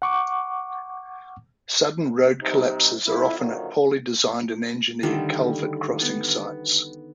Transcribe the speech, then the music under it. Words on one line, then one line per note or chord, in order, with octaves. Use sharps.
Sudden road collapses are often at poorly designed and engineered culvert crossing sites.
F#5 C#6 D6
C3 G3 D#4
F2 E4
F#2 A#2 D3 D#3 F3 F#3
D3 D#3 G3 A3
B3